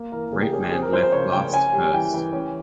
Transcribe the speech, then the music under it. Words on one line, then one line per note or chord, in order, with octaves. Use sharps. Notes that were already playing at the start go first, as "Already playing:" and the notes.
Rapeman left Blast First!
Already playing: A#3
E3 A#4
C#3 G#4
G4
C#4 G#4
G4
C4 G#4
A#4
F3 C5
C5
C#3 C#5
C#3 G5
C#4 G#5
G3
E3 G5
E3
C#4